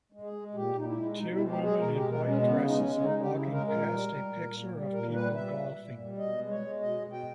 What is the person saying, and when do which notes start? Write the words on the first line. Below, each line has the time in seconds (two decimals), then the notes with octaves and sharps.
Two women in white dresses are walking past a picture of people golfing.
0.12 G#3
0.22 G#4
0.33 G#3
0.54 A#2 G4
0.75 A#2 D#4
0.85 E4
0.95 G#3
1.17 B2 D#4
1.32 E4
1.38 G#3
1.48 G4
1.58 G#3
1.64 G#4
1.79 B2 A#4
1.96 B2 G4
2.10 A#4
2.21 G#3
2.26 C#4
2.42 C#3 B3
2.63 G#3
2.68 D#4
2.73 C#4
2.84 G#3
2.95 C#4
3.05 C#3 D#4
3.20 G4
3.26 C#3
3.36 E4
3.46 G#3
3.52 A#4
3.67 A#2 A#4
3.88 G3
4.09 G3
4.30 A#2
4.51 A#2
4.72 G3
4.92 A#2 A#4
5.14 G3 B4
5.35 G3 E5
5.55 A#2
5.76 A#2
5.98 G3
6.18 B2 D#5
6.39 G#3
6.49 C#5
6.60 G#3
6.80 B2 D#5
7.01 B2
7.12 G5